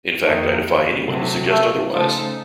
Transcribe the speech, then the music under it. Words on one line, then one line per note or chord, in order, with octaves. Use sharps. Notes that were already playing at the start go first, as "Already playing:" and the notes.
In fact, I defy anyone to suggest otherwise.
F2 D#3 A3 A#3
C3 F#3 A3
A3
C#3 F3 A3 D#4 A4 C5